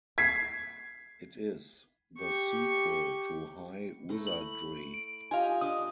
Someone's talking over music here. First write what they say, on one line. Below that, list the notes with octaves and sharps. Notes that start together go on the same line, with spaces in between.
It is the sequel to "High Wizardry".
G#6 B6 C7
G4 C#6
A3 E4 A#5
F#7
D7
F4 G4 D#5 F5 G#5
D4 D#5 D#6